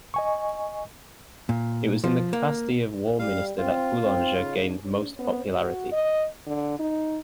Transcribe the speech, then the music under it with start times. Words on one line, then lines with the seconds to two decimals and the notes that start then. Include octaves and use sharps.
It was in the capacity of War Minister that Boulanger gained most popularity.
0.14 D#5 G#5 C#6
1.49 A#2
2.04 F3
2.33 A#3
3.19 G3 F5
3.58 C4 F4
4.04 C4
4.36 C#3
5.19 B3
5.52 F#4
5.92 D#5
6.46 D3
6.79 D#4